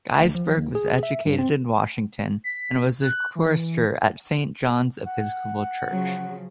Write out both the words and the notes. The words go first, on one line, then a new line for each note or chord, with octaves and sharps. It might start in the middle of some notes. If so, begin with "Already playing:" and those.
Gaisberg was educated in Washington and was a chorister at Saint John's Episcopal Church.
D2
F3
D#2
G#4
E5
G2
C4
B6
F#6
E3
F#5
C#3 F3 F#3